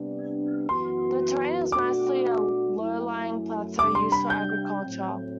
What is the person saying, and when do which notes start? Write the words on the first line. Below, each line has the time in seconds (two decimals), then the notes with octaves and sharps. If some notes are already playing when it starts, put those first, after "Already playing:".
The terrain is mostly a low-lying plateau used for agriculture.
Already playing: C3 G3 B3 D4
0.69 F#2 E3 B3 F#4 C6
1.72 B2 A3 D4 F#4 D6
2.75 F#2 F#3 A3 E4
3.79 C3 G3 D4 D6
3.95 C6
4.12 B5
4.30 G6
4.81 A2 F#3 C4